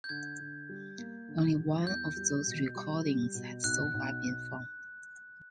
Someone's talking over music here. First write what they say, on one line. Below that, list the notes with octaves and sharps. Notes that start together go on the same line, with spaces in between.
Only one of those recordings has so far been found.
G6
D3 G#6
D3
G3
A#3
D3
G3
E2 G6
G3
B2
G3
G3
B2
B1 F#6
B1